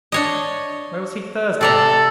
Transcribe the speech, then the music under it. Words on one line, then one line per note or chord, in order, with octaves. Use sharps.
Where was he Thursday night?
D4 C#5 D#5
C3 A4 D5 A#5